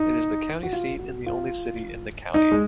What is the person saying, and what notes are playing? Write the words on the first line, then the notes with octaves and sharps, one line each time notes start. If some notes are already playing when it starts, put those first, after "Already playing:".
It is the county seat and the only city in the county.
Already playing: D#4
F#4
F4
F#4
F4
D#4
G#3